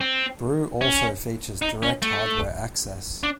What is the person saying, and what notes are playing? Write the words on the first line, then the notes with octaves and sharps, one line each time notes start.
Brew also features direct hardware access.
C4
C#4
D#4
C#4
A3
D4